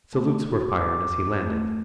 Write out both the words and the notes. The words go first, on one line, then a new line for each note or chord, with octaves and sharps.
Salutes were fired as he landed.
A3
F#4
D6
A3